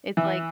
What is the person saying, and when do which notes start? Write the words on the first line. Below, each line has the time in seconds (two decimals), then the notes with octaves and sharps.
it's like
0.17 E3 E5